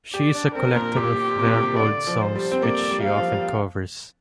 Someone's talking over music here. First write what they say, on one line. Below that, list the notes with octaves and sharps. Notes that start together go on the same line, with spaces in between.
She is a collector of rare old songs which she often covers.
G4 D5
D4
C4 A#4
A#2
A#2 G4
C3
A#2
C3
D3 D5
F3
C5
G3
C4
A#3 D5
G3
F5
F3
G3